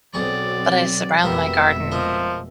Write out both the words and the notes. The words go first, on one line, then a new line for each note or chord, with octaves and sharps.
but I surround my garden
B1 B2 F#3 C4 G#4 D5 C#6
F1 B2 G#3 B3 G4 A#4 E5
F3 A#4 D#5